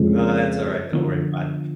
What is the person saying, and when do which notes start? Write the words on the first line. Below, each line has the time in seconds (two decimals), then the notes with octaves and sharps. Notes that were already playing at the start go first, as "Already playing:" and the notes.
No, that's alright. Don't worry about it.
Already playing: F2 C#3 G#3 C#4
0.92 D3 F3 B3 F4